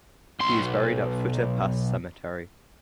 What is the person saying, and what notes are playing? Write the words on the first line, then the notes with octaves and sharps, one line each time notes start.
He is buried at Futa Pass Cemetery.
B1 C6